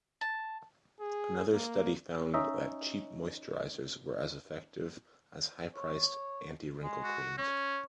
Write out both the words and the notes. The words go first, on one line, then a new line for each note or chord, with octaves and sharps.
Another study found that cheap moisturisers were as effective as high-priced anti-wrinkle creams.
A5
G#4
A#3
C#4 D#4 D#5 E5
C#5
G#3
F#4
C#4 C#5